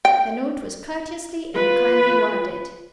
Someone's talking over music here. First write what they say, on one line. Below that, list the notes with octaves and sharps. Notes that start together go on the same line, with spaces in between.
The note was courteously and kindly worded.
G5
F4 B4